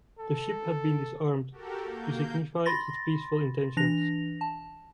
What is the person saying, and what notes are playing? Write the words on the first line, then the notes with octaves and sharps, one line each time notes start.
The ship had been disarmed to signify its peaceful intentions.
A4
F#4 G4 A4 A#4
A#3 G6
B5 C6 A6 A#6
E3 D4 A#6 F7
A5